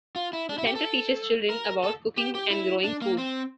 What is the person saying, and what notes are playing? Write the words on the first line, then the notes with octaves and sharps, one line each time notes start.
The center teaches children about cooking and growing food.
F4
E4
D4
E4
G4
A4
A#4
A4
G4
G4
E4
D4
A#3
C4